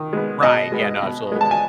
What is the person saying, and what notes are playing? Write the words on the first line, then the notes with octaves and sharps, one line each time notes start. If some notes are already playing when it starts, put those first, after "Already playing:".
Right, yeah, no, absolutely.
Already playing: D#3
G#3 B3
B2 D#5
G#3 B3
B2
G#3 B3
A5
G#5